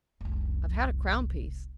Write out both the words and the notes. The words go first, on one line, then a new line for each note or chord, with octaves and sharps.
I've had a crown-piece.
F1 C2